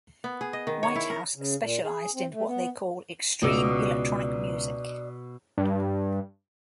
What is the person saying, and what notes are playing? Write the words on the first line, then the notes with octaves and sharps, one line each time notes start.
Whitehouse specialised in what they call "extreme electronic music".
B3
G#4
D#5
D#3
C#5
E4
A#4
C#3
A#2
G#4
C4
A3
B3
C#2 B2 D4 D#4 D5 E6
G2